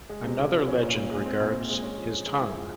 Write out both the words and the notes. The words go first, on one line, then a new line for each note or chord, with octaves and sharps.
Another legend regards his tongue.
G#3
C3
E4
F3
C#4
A#2
A#2
G#3
C4
A#2
A#2
G#3
C#4
F3
F3
G#3
E4
F3